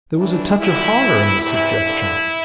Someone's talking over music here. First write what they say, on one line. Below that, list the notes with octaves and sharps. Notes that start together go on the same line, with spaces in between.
There was a touch of horror in the suggestion.
A2 E3 D4
G2 D3 E4
A2 E3
E2 C3 E3 E4
G2 D3